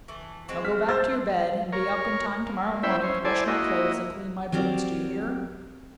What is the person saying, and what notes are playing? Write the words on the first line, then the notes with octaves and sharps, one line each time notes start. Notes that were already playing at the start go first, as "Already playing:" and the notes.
"Now go back to your bed, and be up in time to-morrow morning to brush my clothes and clean my boots, do you hear?"
E3 A3
G#3 C4 F#4
F6 B6
C5 E6 A6
A#4 C#5
A#3
C#4 E4 C5 E5 G5 B5
C#4 C5
E4 A4 C5 D5 G#5
A#3 E4 F#4 D#5
F#3 C4 G4 A#4 D5